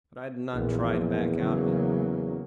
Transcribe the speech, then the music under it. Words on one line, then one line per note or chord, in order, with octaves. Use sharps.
But I did not try to back out of it.
A#1 E2 A#2
C#3 F#3 A#3